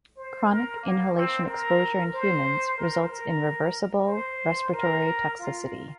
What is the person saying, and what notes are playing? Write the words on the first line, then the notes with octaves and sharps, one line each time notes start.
Chronic inhalation exposure in humans results in reversible respiratory toxicity.
C5
A#4
A#3
C4
A#4
C5
A#4
A#4
C5
A#4
F4